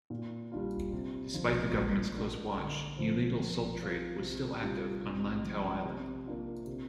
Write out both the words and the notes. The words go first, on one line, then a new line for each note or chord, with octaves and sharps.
Despite the government's close watch, illegal salt trade was still active on Lantau Island.
A#2
G3 D4 F4
C3
F3 D4 F4
A#2
A#3 D4
D3
F3 C4
F3
C4 F4
C3
G3 D4 F4
C3
F3 C4
C3
A#3 D4 F4
C3